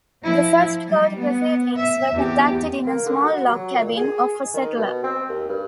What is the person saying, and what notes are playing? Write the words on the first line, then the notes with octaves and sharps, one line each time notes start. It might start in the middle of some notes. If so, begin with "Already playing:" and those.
The first court proceedings were conducted in a small log cabin of a settler.
F3 E4
G3
B3
E5
E2 G4
A#3
D3
F#4
F#3
A#2
G#4
D#3
B2
C4
D#2
G2